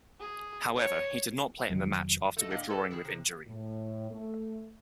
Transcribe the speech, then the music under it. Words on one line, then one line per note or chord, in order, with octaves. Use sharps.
However, he did not play in the match after withdrawing with injury.
G#4
C#5
F1 D#3 F#3
A3 A4 D#5
A2 A#3 D4 D#5
G4 A4 B4
D#3 E4 G#4
C3
A2
A3